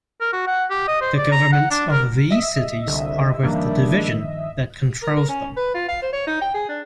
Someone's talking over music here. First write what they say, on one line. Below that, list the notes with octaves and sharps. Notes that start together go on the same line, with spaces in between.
The governments of these cities are with the division that controls them.
A#4
F#4
F#5
G4
D#5
C5
D5
A#5
F#5
D4
A#4
D#5 E5
C2 D3
G2 D#3 F3 G3 A#3 D4
A#4
A#4
C#4
B4
F4
F5
C5
C#5
D#4
G5
G#4
D4